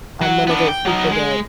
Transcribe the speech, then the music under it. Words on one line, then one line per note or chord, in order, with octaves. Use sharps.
I'm one of those people that
F#3 F#5
B3 D4
G5
F#3 D#4
G#3